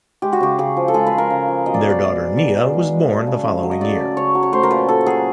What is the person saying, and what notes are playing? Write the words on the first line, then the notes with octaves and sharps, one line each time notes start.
Their daughter Nia was born the following year.
G#3 G4
F#4
C#3 G4
C#3 G#4
F3
A4
G#3 G#4
B4
C#3
A#4
C#3
F3
B2 D#5
D5
B2 C#5
D5
G#3
G#3
B2 D5
B2
G#3
G#3
A3
C#3
C#3
F#3
D#5
A3 D5
C#3
C#3 C#5
F#3
C#5
A3 C5
A#4
A#2 B4
A#2 A4
F#3 G#4